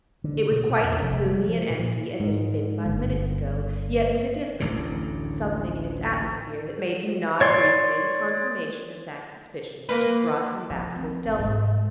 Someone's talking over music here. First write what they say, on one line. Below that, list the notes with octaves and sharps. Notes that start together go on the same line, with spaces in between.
It was quite as gloomy and empty as it had been five minutes ago, yet with a difference, a something in its atmosphere that made him nod briefly in confirmation of that suspicion which had brought him back so stealthily.
D3
B2
A#2
E2
F1
G3
F3
A#2
G#2
G1
D1 A1 D2 D3
C#5 D5 C6
A#3 B4
F3
C4
G#1
G#2